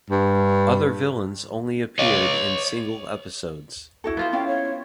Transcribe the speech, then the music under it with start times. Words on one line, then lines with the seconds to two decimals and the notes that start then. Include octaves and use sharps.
Other villains only appeared in single episodes.
0.10 G2
1.99 C#5 D#5
4.04 E4 F#4 A4
4.17 B3 F4 C5
4.33 C#4 E4 F5 G5
4.47 C#5